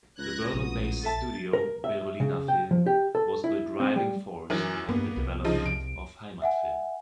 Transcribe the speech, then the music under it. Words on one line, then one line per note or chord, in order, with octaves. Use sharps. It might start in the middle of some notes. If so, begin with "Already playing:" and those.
The Berlin-based studio Berolina Film was the driving force behind the development of "Heimatfilme".
C#2 F#6 G#6 A#6
A#1 F#4 D#6
A4 E5 A5 A6
A#4
E5
C#3
G5
F3
G4
A4
E4
C4
G3
F#2 E3 A#4
G2 A#3 B3
C2
C#3 F3 D#4
D7
E5 F#5 G#5